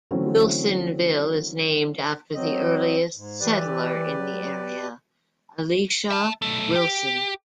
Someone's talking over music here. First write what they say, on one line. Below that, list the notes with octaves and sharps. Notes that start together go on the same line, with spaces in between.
Wilsonville is named after the earliest settler in the area, Elisha Wilson.
D3 E3 F#3 A3 C4 C#4
F#3 C4 D#5
G#2
E3 G4 B4 D5
F#3
E5 A5
B1 A3
G4